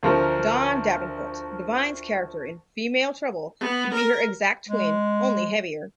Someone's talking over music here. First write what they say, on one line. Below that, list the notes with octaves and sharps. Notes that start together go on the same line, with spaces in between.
Dawn Davenport, Divine's character in "Female Trouble", could be her exact twin, only heavier.
D2 F3 A#4
B3
A#4
G#3